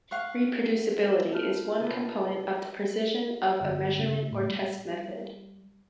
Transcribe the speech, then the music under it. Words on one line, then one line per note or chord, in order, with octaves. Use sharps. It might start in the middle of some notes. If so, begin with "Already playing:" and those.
Reproducibility is one component of the precision of a measurement or test method.
F5 F#5 C#6
A3 D#4 F4 F6
C3 A4 B4
G1
C#3
A2
G3